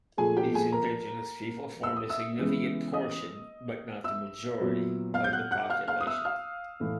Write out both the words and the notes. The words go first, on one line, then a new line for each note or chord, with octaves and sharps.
These indigenous people form a significant portion, but not the majority, of the population.
A#2 F3 A3 G#4 G#5
G4 G5
G#4 G#5
A#4 A#5
E6
D#6
E5 E6
C#3 E3 G#3 B3
D#5 D#6
E5 E6
A#2 F#3 B3
F5 F6
G6
F#5 F#6
F#5 F#6
F5 F6
F5 F6
D#6
E5 E6
F5 F6
A2 E3 A3